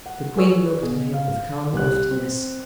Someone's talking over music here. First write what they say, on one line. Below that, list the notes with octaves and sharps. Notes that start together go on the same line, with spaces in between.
The queen looked at him with calm loftiness.
F#5
G#4 B4 C#5 D5 C#6 E6
B2 G#4
F5
C2 G4 F#6
C4